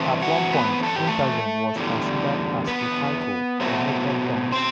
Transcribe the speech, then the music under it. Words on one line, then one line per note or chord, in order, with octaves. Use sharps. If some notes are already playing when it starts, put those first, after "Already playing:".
At one point, Interzone was considered as a title for "Naked Lunch".
Already playing: G2 E3 A3 C4
F#4 F#5
B3 B4
A4
G4
A3 A4
E2 D3 G3
B3 B4
B2 F#3 A3 C4
C4 C5